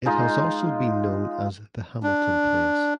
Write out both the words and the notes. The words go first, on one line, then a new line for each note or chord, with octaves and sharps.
It has also been known as The Hamilton Place.
G#3 D#4 F4 D#5
D4